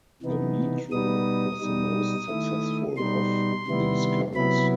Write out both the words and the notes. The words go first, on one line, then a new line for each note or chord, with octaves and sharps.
The Metro was the most successful of these cars.
C3 E3 B3 D#4
B2 G3 B3 D#4 D#6
B2 G3 D#4
D#3 A3 E4
B2 G3 D#4 C6
C3 D#3 G3 B3 E4
C3 F#3 B3 E4 B5